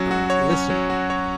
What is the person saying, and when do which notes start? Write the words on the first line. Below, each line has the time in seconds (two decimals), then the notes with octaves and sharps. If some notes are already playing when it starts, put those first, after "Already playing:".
uh, listener?"
Already playing: F#3 C#4 F#4
0.11 F#4
0.30 C#5
0.50 C#4
0.70 F#3
0.90 F#4
1.10 C#5